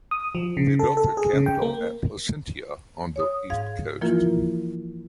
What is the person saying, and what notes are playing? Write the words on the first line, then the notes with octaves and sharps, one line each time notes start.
They built their capital at Placentia on the east coast.
D#6
F3
C#3
A4
A4
G#4
C#3
G5
A#3
C#5 D#6
G#2 F5 G#6
E3 F3 A#3 E4 F4 A#4